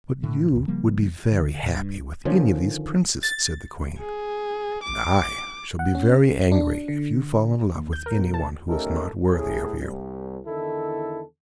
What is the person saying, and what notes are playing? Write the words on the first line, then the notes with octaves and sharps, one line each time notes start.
"But you would be very happy with any of these Princes," said the Queen, "and I shall be very angry if you fall in love with anyone who is not worthy of you."
A2 D3
A1 D#2
C#3 F3 G3 A#3
D3
A#2
G2
D3 D#3 F3 C#4
A6
G#4
D6
F#5
C#4
D4
D3
D#2
G6
A#4
B2
A5
A3 C#4 D#4 G4 A4 A#4
C2 A2 G#4
C2
E2 D3 D#3 E4 A4